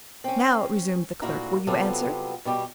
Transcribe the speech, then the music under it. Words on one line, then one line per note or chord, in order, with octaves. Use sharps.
"Now," resumed the clerk, "will you answer?"
C4 C#4
D2 A#2 A#3 E4 F#4 A#5
C3 F#3 G3 B3 F4 A4
B2 G3 G4